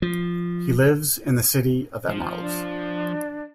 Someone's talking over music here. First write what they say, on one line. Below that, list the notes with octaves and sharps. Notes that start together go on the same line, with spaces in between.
He lives in the City of Emeralds.
F3
F3
D4